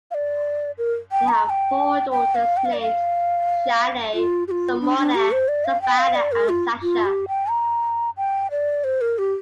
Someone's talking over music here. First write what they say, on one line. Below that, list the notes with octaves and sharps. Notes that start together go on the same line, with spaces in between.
They have four daughters named Shianne, Samone, Savannah, and Sasha.
F5
D5
A#4
G5
A#5
A#5
G5
G5
F5
G5
F5
D5
F5
F4
G4
F4
D4
D4
G4
C5
D5
F5
G5
F5
D5
A#4
F4
F4
G4
G5
A#5
G5
D5
C5
A#4
G4